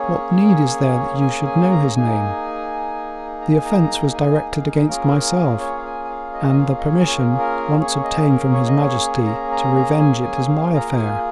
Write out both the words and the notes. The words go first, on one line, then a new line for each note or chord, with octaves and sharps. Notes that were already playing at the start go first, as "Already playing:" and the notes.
"What need is there that you should know his name; the offense was directed against myself, and the permission once obtained from his majesty, to revenge it is my affair."
Already playing: A#3 C#4 G#4 C#5
C#5
G#5
G#5
A#5
A#3 D#4 G#4 G#5
A#5
G#5
A#5
G#5
F5
A#3 C#4 F4 G#4 A#4
C#5
F5
G#5
G#5
F5
D#5
G#5
F5
D#5
C#5
C#5
A#4
A#4
A#3 C#4 G#4 C#5
D#5
A#4
C#5
D#5
C#5
A#5
A#5
A#5
G#5
G#5
F5
A#3 F4 G#4 A#5
G#5